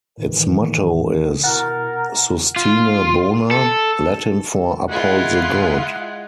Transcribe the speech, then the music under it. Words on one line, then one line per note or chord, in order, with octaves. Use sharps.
Its motto is "Sustine Bona", Latin for "Uphold the Good".
A2 D#3 E3
B2 E4 A#4 F#5 A6
F4
A4
G#3 E4 F4 F#5